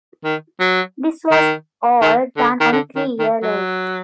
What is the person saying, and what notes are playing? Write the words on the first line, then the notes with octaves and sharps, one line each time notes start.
This was all done on a three-year lease.
D#3
F#3
D#3
D#3
D3
D#3
D3
D#3
D#3
F#3